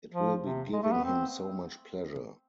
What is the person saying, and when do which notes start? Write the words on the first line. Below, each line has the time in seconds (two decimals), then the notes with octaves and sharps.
It will be giving him so much pleasure!
0.12 F3
0.42 C3
0.73 G#3
0.83 A3
0.93 B3
1.04 C4